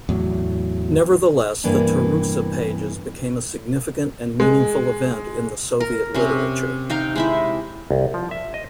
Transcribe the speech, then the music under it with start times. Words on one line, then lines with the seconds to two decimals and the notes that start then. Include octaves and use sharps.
Nevertheless, the "Tarusa Pages" became a significant and meaningful event in the Soviet literature.
0.09 E2 A2 F#3
1.64 G2 C3 E3 A#3 B3 D4
4.40 G#3
5.80 A#4
6.14 C3 C#4
6.90 D#4 F5 G5
7.16 G#3 E4 E5
7.91 C2
8.14 F3
8.31 E5
8.54 D#5